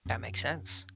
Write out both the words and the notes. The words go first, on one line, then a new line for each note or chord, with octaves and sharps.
That makes sense.
F#2 C#4